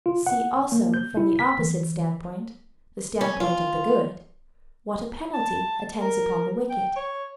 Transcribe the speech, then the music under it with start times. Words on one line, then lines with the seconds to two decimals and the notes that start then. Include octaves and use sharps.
'See, also, from the opposite standpoint--the standpoint of the good--what a penalty attends upon the wicked.
0.06 F4
0.27 F#5
0.72 A#3
0.94 G6
1.17 E4
1.39 B6
1.59 E3
3.21 C#4
3.40 F4
5.34 A5
6.01 A#4
6.70 G5
6.96 C#5